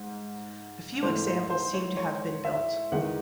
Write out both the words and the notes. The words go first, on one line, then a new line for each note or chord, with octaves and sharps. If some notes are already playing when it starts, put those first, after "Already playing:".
A few examples seem to have been built.
Already playing: G#2
G#2 E3 A3 C5
C5
C5
C#5
C#5
E5
E2 D#3 G#3 F#5